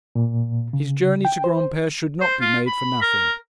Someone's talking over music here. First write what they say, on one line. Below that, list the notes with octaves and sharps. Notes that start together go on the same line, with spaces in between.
His journey to Granpere should not be made for nothing.
A#2
C#3
G5
C5
C5
F4
B5
A#4